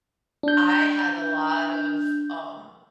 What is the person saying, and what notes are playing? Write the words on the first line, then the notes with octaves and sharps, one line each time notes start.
I had a lot of, um
D4 G6